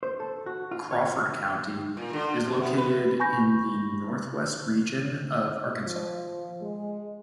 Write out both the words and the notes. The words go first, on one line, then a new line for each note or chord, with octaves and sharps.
Crawford County is located in the northwest region of Arkansas.
C5
A4
F#4
F4
C#5
C#5
A#2
D3
C3
B3
B4
G#5 B5 C#6 G6 A#6
F3
G#3